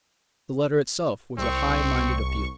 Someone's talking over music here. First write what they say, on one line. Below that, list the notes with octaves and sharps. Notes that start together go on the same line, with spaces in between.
The letter itself was a high minded appeal . . . .
C2 C4 C#6